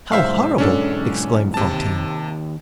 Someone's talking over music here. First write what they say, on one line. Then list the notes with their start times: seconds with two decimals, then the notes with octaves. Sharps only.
"How horrible!" exclaimed Fantine.
0.12 B1 G#2 C5 E5 F5
0.58 C#4 D4 A4
1.54 C3 A5
1.71 D#2